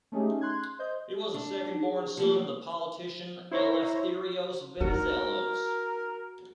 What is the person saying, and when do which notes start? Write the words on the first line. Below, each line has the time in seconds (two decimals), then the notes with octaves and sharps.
He was the second-born son of the politician Eleftherios Venizelos.
0.12 A3 C#4 D#4 G4 G#4
0.41 C6 F#6 G#6
0.79 C5 D#5 G6
1.34 D4
1.68 D#4
1.83 G#4
2.17 F3 G3 A#3 G4
3.51 E4 C5 C#5 A#5
4.81 D#4 F#4 A#4